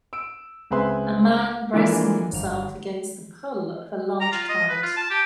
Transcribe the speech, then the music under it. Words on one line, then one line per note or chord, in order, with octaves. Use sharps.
A man bracing himself against the pull of a large kite.
E6 D7 E7
C#2 C4 G#4 B4 E5 C6
D3 E3 F3 G#3 A#3 D4
G1 F7
A#5
F4
D#5
B4
F4
A5
G4